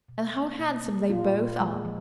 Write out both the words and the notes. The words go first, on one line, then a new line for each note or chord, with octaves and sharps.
"And how handsome they both are!"
B2
A#3
B2
A#3
A#2 F4
A#2
G#3
F3